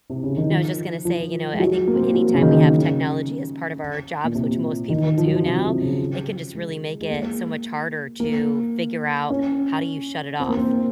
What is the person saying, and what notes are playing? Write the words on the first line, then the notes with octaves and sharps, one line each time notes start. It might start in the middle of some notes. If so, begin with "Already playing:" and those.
No, I was just gonna say, you know, uh, I think, anytime we have technology as part of our jobs, which most people do now, it can just really make it so much harder to figure out how do you shut it off,
C3
C#3
D#3
F3
F3
G#3
F#3
A#3
C4
A#3
F#3
C#3
D#3
C#3
A#2
C3
D#3
F3
F#3
F3
C3
C3
C#3
G#3
G#3
A#3
A#3
C#4
C4
A#3
C4